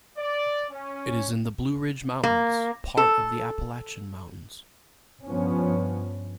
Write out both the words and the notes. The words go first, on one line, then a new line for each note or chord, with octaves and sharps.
It is in the Blue Ridge Mountains, part of the Appalachian Mountains.
D5
C#4
A#3
A4
G2 F3 B3 C#4